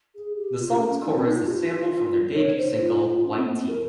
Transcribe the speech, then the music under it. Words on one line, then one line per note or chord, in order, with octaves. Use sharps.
The song's chorus is sampled from their debut single "White Tee".
G#4
G4
F4
C#4
C#4
D#4
C4
D#4
F4
G4
F4
C#5
C5
F4
F4
C#4
C4
A#3
C4
A#4